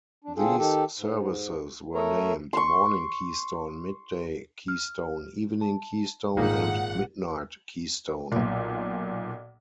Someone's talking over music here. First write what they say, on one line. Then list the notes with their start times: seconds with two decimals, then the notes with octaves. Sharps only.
These services were named "Morning Keystone", "Midday Keystone", "Evening Keystone", and "Midnight Keystone".
0.24 D4
0.37 D3 C4 F4 G#4 A4
0.58 D#3 G4 A4
0.98 G#2
1.94 A3 A4 A#4 C#5 A#5
2.53 C6 C#6
4.68 F6
5.61 A5
6.37 G#1 A#2 G3 A#3 D#4 G#4 F5 F#5
8.32 B1 A#2